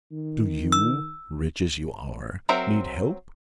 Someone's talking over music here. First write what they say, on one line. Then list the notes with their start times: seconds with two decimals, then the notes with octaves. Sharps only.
'Do you, rich as you are, need help?
0.12 D#3
0.72 E6
2.49 F#3 C4 A#4 C5 E5